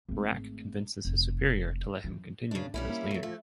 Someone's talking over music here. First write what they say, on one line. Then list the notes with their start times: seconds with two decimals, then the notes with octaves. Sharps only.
Brack convinces his superior to let him continue as leader.
0.09 G#1 A3
1.05 F1
2.04 F#2 E3
2.51 C#3 D4
2.74 B1 G3 C#4 E4
2.90 A#3
3.11 D#3 F#3
3.23 F3 A3